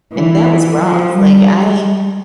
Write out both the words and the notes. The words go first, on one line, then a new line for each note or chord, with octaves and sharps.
and that was rough, like, I
E3
F3
G3